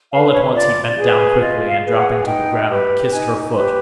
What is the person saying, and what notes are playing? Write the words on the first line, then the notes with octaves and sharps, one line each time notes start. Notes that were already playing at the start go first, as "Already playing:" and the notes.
All at once he bent down quickly and dropping to the ground, kissed her foot.
B4 F5
C#5
F4 D5
G#4 B4
F4 D#5
F5
G#4 B4
F#5
G#5
D#4 G5
G4 B4
D#4 G#5
G4 B4